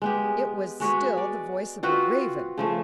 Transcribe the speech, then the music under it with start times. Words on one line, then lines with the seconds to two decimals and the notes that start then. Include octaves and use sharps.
It was still the voice of a raven!
0.02 G#3 B3 G4
0.80 G#3 F#4 B4 C#5
1.17 D5
1.83 C4 F4 F#4 B4
2.58 C#3 F3 A3